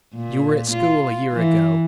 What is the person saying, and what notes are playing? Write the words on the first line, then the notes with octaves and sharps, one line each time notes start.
You were at school a year ago.
A#2
F4
E3